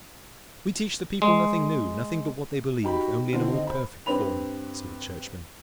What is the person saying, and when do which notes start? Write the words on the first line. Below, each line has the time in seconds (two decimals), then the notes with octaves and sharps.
"We teach the people nothing new, nothing but what they believe, only in a more perfect form," say the Churchmen.
1.22 G#3
2.83 D#4 F#4 G4 B5
3.32 D3 D#3 C4 E4
3.51 D#5
3.67 C5 B5
4.06 G2 C4 B4 B5 F7